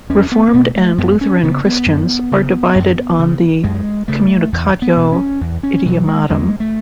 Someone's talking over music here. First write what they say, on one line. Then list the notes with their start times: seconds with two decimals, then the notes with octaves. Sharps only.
Reformed and Lutheran Christians are divided on the "communicatio idiomatum".
0.09 E2 C#4
0.32 B3
0.48 B3
0.54 B2 A3
0.76 A3
0.98 F#2 B3
1.21 C#4
1.43 C#3 B3
1.65 B3
1.86 F#2
2.32 C#3
2.75 F#2
3.19 C#3
3.64 F#2 G#3
4.08 C#3 A3
4.53 E2
4.82 B3
4.96 B2
5.12 C#4
5.41 E2
5.63 C#4
5.86 B2 F#3
6.07 G#3
6.30 E2 G#3
6.60 A3